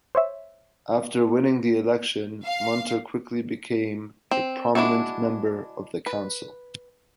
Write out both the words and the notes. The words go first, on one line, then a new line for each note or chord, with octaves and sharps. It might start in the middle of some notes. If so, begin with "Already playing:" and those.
After winning the election, Munter quickly became a prominent member of the council.
C5 C#5 E5
F5
C4
G#3 D4 E4 F#4 A4
B4